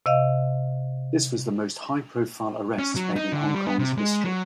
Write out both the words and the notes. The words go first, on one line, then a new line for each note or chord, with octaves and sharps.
This was the most high-profile arrest made in Hong Kong's history.
C3 D#5 F5
C#4
F#3
D#4
D3
G3
B3
C3
G#3
F#3